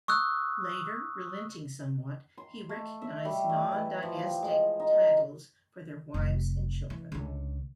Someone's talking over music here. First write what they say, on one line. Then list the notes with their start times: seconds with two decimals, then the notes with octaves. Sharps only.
Later, relenting somewhat, he recognised non-dynastic titles for their wives and children.
0.08 C#6 D#6 E6 F#6
2.38 C6
2.69 A3
3.02 E5
3.25 G3
3.50 A3
3.72 E3
4.03 F3
4.18 G4
4.42 G#3
4.80 D#4
6.14 F1
6.90 E3
7.12 C#2 D3